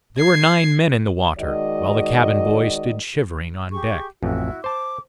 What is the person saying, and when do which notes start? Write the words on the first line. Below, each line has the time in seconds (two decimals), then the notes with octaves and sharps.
There were nine men in the water, while the cabin boy stood shivering on deck.
0.18 G#6 C7
1.39 D#3 G#3 F#4 D5 D#5
3.72 G4 G#4 C#6
4.23 A1 F2 E4 F#4
4.64 C5 A5 D6